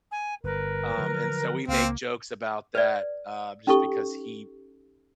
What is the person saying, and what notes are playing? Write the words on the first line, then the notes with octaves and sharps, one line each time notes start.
um, and so we make jokes about that, uh, just because he
G#5
G1 A#4 B4
D3 F3 F#3
C#2 A#3 C4 F5
B4 D5
C#4 D#4 G4 A4 C#6